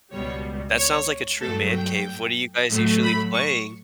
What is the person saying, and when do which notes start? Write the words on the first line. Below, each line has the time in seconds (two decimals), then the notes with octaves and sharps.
That sounds like a true man cave. What are you guys usually playing?
0.13 C#2 B2 G3 C#5
0.77 C#5
1.41 G2 F#3 A3 A4
1.74 G5
2.70 A2 F#3 A3
3.03 B5
3.34 C#6